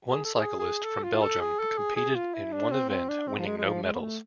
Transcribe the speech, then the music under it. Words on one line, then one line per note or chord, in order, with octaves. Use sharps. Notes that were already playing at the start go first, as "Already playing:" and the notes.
One cyclist from Belgium competed in one event, winning no medals.
G#4
A4
G#4
G#4
A4
F4
A4
G#4
A4
G#4
G#4
F4
E4
D4
C4
C4
D4
C4
F3
G#3
G#3
F3
G#3
B3
A3